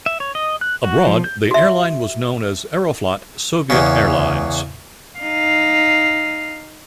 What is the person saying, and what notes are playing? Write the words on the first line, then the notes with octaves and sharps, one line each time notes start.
Abroad, the airline was known as Aeroflot Soviet Airlines.
E5
C#5
D#5
F#6
F#4
F3
G6
F#4 E5
E2 C#3
D#4 F5